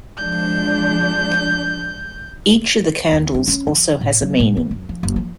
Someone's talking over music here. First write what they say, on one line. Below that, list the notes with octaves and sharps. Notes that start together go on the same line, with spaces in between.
Each of the candles also has a meaning.
F3 G#3 D4 G6
D#2
G2
C#4
F3
A2
F#3
A2
B3
F#2
F3
F#1
F3